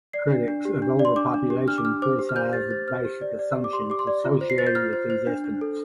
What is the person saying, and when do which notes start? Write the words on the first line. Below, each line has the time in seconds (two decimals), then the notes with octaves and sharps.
Critics of overpopulation criticize the basic assumptions associated with these estimates.
0.13 D5 C7
0.30 D4
0.48 D4
0.65 G4
0.82 D4
0.99 D5
1.05 C6
1.16 D4 D6
1.34 D4
1.50 G4
1.68 D4 F6
1.78 D6
1.85 D4 F6
2.02 C5 D6
2.19 G4
2.29 F6
2.36 C5 G6
2.53 G4 A6
2.70 C5 A6
2.87 C5 F6
3.05 G4
3.21 D5
3.39 D5
3.56 G4
3.64 D6
3.73 G4 C6
3.90 G4 D6
3.99 C6
4.07 D5
4.24 F4
4.41 C5
4.50 C7
4.58 C5 A6
4.67 G6
4.75 F4 F6
4.93 C5
5.10 C5
5.27 D4
5.44 D4
5.61 A4